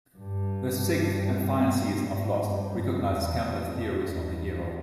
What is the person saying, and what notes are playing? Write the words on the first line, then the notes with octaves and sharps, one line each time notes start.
The sixth and final season of "Lost" recognizes Campbell's theories on the hero.
G2
G#2
G2
F#2
E2
F2
F2
E2